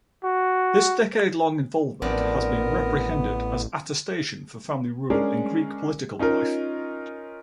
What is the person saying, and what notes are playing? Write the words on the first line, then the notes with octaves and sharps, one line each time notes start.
This decade-long involvement has been reprehended as attestation for family-rule in Greek political life.
F#4
A1 F3 B3 C4 D4 A#4
G#3 C#4 D4 G#4 A#4
C#4 D#4 F4 A#4